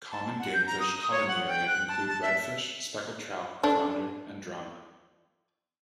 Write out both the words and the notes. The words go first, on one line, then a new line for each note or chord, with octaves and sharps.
Common game fish caught in the area include redfish, speckled trout, flounder, and drum.
A5
F#5
G6
A#5
D#6
C#5
F#5
G5
F#6
A5
A5
E5
D4 A4